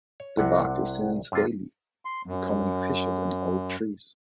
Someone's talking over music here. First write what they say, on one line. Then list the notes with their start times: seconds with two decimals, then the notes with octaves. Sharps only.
The bark is thin and scaly, becoming fissured in old trees.
0.20 C#5
0.37 C2 C3 E4 F#5
1.32 F#2 C3 F4
2.05 C6
2.27 F#2